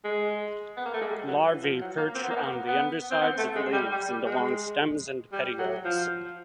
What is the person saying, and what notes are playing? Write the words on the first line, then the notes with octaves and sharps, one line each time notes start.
Larvae perch on the undersides of leaves and along stems and petioles.
G#3
B3
A#3
A3
G#3
G3
F#3
E3
F3
F#3
A#3
C4
B3
A#3
B3
B3
C4
B3
A3
G#3
G3
G3
G3
G#3
G3
F#3
F3